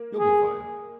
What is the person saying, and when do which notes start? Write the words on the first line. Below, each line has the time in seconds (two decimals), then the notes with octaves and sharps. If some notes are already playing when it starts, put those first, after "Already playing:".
"You'll be fine."
Already playing: A#3
0.19 G#4